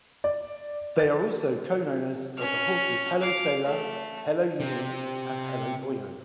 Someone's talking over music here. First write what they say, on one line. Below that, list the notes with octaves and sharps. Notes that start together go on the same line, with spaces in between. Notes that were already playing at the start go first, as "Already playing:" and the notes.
They are also co-owners of the horses Hello Sailor, Hello Unique and Hello Boyo.
D5
A6
C#4 F6
F5 D6
A3
C3 C4